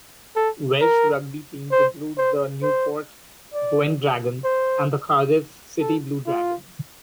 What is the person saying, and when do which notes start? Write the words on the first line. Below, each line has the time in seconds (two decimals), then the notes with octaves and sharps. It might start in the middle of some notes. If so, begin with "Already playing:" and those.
Welsh rugby teams include the Newport Gwent Dragons and the Cardiff City Blue Dragons.
0.36 A4
0.81 A#4
1.72 C5
2.18 C5
2.62 C5
3.54 D5
4.44 C5
5.81 A4
6.26 F4